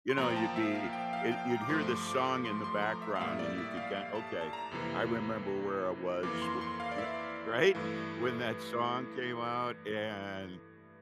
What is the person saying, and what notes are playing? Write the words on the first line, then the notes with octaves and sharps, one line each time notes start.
you know, you'd be eh, you'd hear this song in the background, and you could ki "Okay, I remember where I was w wh" Right? When that song came out, and
C6
A#2 F3 A#3 A#5
G5
A5
E5
F5
G5
F5
G5
A#5
D6
G2 F3 A3 C6
C6
D6
D6
D6
C6
C6
A#5
E5
F5
A2 G3 A#3 E5
D5
E5
F5
F5
A5
A5
A#5
F2 C3 E3 A#3
F2 E3 A#3 D6
C6
C6
F5
D5
E5
G2 E3 A3